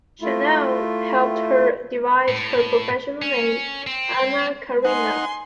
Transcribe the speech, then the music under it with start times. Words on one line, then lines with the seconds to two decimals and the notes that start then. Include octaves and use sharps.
Chanel helped her devise her professional name, Anna Karina.
0.22 A3 E4 F4
2.28 A2
3.22 C#4
3.87 C4
4.85 D#4 F#5 G#5 C6